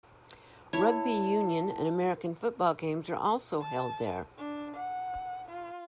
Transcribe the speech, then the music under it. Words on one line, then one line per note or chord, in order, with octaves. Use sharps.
Rugby union and American football games are also held there.
E4 C#5 A5
A5
D4
F#5
F4